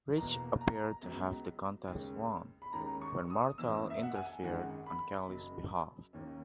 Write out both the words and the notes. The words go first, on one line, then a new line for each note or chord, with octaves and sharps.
Rich appeared to have the contest won, when Martel interfered on Kelly's behalf.
E2 B2 A#3 A#5
A#5
C#2 C#3 F#3 B3
D#2 C#3 G#3 C#4
B5
D#2 D#3 G#3 C#4 A#5
C#6
D#6
G#1 F#2 E3 A#3 E6
E5
F#5
G#5
G#1 F#2 D#3 G#3 F#5
B5
F#1 F#2 C#3 F#3
D#2 D#3 A#3 C#4